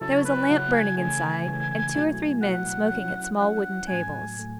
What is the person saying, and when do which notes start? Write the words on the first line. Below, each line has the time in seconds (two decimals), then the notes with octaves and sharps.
There was a lamp burning inside, and two or three men smoking at small wooden tables.
0.01 C#3 F#3 C#4 E4 A4
0.15 C#5
0.25 B4
0.48 C#3 F#3 C#4 E4 F#5
0.73 G#5
0.97 C#3 E3 A3 G#5
1.46 C#3 E3 A3
1.95 B2 F#3 A3 E4
2.42 B2 F#3 A3 E4 F#5
2.91 F#3 C#4 E4
3.40 F#3 C#4 E4 F#5
3.88 A2 F#3 A3 G#5
4.37 A2 F#3 A3